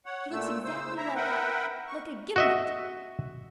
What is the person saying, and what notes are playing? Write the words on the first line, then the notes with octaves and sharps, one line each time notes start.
"She looks exactly like a--like a gimlet."
C#5 F#5
A#2 A3 E6
C#3 C5 E6
E4 E5 A#5
A#4 B4 E5 F#5 G5
C#6
F#4 D#5 E5